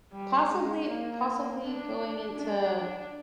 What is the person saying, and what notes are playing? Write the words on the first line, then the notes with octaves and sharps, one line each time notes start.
possibly possibly going into,
G3
G#3
A#3
D4
D4